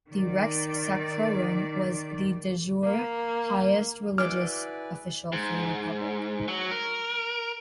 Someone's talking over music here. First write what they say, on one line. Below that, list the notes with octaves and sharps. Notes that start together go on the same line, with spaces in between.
The Rex Sacrorum was the "de jure" highest religious official for the Republic.
D#3 D5
A#3
E4 F#4 G#4 B4 D5 D6 F6
G#2
F#3
A#4